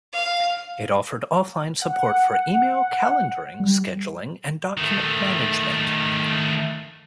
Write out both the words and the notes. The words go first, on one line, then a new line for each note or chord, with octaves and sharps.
It offered offline support for email, calendaring, scheduling, and document management.
F5
F#5
G3
D#3 A3